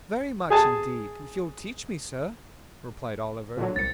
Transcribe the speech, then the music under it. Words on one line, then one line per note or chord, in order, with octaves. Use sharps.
'Very much, indeed, if you'll teach me, sir,' replied Oliver.
G#4 G#5 A5
A#2 D3 F#3
C2 A6 C#7